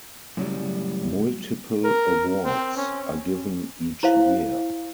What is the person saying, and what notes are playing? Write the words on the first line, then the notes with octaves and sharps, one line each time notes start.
Multiple awards are given each year.
F#2 A2 C#3 F#3 G3
A#4
C4
C#4
E4 C5 F5